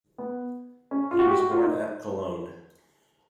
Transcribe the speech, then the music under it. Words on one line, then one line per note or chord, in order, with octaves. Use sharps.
He was born at Cologne.
B3
C#4
F4
F#4
G4
F#4
F4
D#4